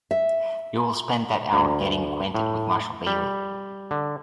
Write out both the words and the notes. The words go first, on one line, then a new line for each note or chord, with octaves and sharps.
You will spend that hour getting acquainted with Marshall Bailey.
E5
D2
A2
G3
D3